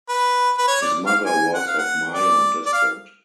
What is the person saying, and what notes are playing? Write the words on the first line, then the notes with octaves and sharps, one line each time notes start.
His mother was of Mayan descent.
B4
B4
C#5
D5
F5
G#5
F#5
F5
F#5
D5
D5
F5